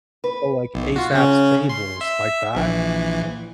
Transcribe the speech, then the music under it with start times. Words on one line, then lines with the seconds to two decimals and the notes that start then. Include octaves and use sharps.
Oh, like Aesop's fables, like that?
0.24 B4
0.74 B1
0.96 F4 F#4
1.12 C#3 C#4
1.69 C6
2.01 E5
2.55 A#1 E3